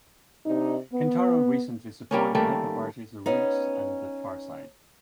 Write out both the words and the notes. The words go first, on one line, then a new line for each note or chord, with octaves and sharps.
Kentaro recently supported hip-hop artists The Roots and The Pharcyde.
C3 D4 D#4
B3
G3 A#3 C#4
D#3 G3 A3 A#3
B3 C#4 D#4